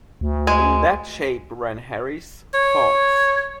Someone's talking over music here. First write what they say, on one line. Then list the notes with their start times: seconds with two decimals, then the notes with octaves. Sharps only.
In that shape ran Harry's thoughts.
0.21 D2
0.47 G#3 G#5
2.54 C#5